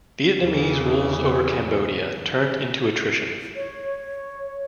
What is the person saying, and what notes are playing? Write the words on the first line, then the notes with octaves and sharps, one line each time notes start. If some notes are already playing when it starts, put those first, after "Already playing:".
Vietnamese rules over Cambodia turned into attrition.
E2 C#3 E3
C#5